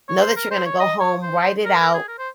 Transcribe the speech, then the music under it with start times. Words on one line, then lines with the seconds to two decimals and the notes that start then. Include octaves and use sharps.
know that you're gonna go home, write it out,
0.08 C#5
0.22 C5
0.36 A#4
0.51 C5
0.66 C#5
0.80 D#5
1.00 C#5
1.22 C5
1.65 A#4
1.80 A#4
1.94 G#4
2.08 A#4
2.19 C5